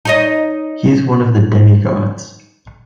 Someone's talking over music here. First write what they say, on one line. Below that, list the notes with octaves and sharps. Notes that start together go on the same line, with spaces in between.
He is one of the demigods.
D#4 C#5 D#5